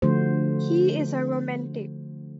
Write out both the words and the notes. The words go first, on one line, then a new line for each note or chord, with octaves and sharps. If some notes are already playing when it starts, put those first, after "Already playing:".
He is a romantic.
D3 F3 A3 F#4 C5